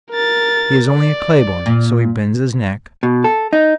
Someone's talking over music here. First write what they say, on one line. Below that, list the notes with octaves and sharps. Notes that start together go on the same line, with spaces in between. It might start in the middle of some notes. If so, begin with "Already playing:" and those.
He is only a clay-born; so he bends his neck.
A#4 A6
D5
A#2
B2
A4
D#4